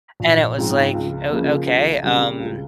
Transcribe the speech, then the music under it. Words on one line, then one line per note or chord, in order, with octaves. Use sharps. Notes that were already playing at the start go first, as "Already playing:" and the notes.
And it was like, "Oh, okay, um"
A#1
G#2 F3 C4
C#2
C#3 F3 A#3
C#2
C#3 G3 C4
C#2